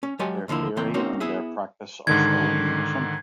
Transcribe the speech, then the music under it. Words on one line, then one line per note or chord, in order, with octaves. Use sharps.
Their theory and their practice are still in unison.
C#4
F#3 G#3 G4 F#5 G#5 A5
D#2 D3 F3 A#3 E4
C#2 E3 A#3 C4 G5
G#3 A#3 C4 C#4 D#4 F#4
B3 E4 G#4 E5
G#2 D3 D#3 G#6